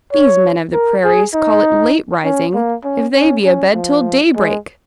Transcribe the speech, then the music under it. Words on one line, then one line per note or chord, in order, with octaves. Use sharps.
These men of the prairies call it late rising, if they be abed till daybreak!
C#5
A#4
G#4
D#4
C#4
A#3
C#4
C#4
C#4
F3
G#3